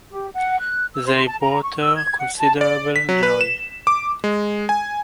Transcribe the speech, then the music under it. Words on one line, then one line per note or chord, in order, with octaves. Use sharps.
They brought her considerable joy.
G4
F#5
F#6
E6
C5
A5
A#5
C#6
E6
G#6
F#5
A5
D5
B6
F#3
B4
E7
D6
G#3
G#5